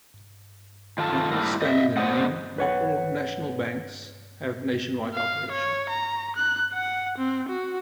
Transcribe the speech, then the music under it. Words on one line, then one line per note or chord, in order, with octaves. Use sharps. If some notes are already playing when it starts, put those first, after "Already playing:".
Notwithstanding the name, not all "national banks" have nationwide operations.
D#3 F4 A4 A5
G3 A3 A#3 E4 A#4
D#5 E5
B3 C5 D5 D#5 F#5
B4 C#5 F#5
F5
C#5
A#5
F#6
F#5
C4
F#4